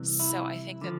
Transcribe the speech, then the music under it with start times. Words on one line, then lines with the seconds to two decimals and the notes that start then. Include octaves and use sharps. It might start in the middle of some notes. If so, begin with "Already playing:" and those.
so I think that
Already playing: C2 C3 E3
0.20 E4
0.82 D3 F3